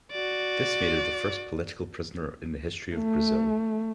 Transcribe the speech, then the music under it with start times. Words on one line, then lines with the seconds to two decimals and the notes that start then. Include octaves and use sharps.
This made her the first political prisoner in the history of Brazil.
0.11 F#4 D5
2.96 A3